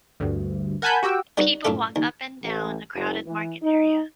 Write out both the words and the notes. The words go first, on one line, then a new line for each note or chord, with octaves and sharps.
People walk up and down a crowded market area.
D2 G2
A#4 F#5 G#5 A5 B5 G6
F#4 G4 G5 E6
G3 D#4 F#4 B4 D#5
F#2 A2 E4 F4 A4
D#2
A1
F#1
E3
D#4